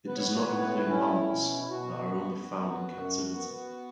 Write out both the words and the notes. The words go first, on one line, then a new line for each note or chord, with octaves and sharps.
It does not include mammals that are only found in captivity.
B3 B4
C#5
B4
C#5
B4
A2 C#5
B4
C#5
B4
C#4 E4
B2
E4
B2 F#4
B3
B3
F#2
B3